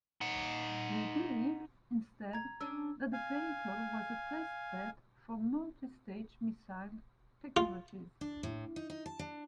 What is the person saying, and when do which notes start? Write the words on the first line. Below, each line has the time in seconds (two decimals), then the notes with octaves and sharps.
We believe instead that the vehicle was a test bed for multi-stage missile technologies.
0.21 D#4 F#5
2.33 A#5 G#6
2.61 C#4 D4 E6
3.13 F5 G#5
7.57 F4
8.21 D4
8.43 A2
8.76 D#4
8.90 D#4
9.06 A5
9.19 D4